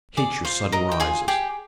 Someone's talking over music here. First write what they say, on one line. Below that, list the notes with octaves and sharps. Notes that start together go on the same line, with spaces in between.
I hate your sudden rises.
G#4 D5 D6
F4 C5 C6
A#4 D#5 A#5
G5
F4 G#4 G#5
G4 G#4 G5